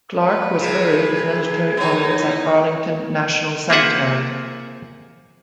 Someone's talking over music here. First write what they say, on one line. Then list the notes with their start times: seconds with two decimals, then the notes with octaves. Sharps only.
Clark was buried with military honors at Arlington National Cemetery.
0.19 B4
0.60 C3 F3 G#4
1.77 B3 D#4 C#5
2.18 E4
3.70 A#3 C4 F4 G#4 E5 F#5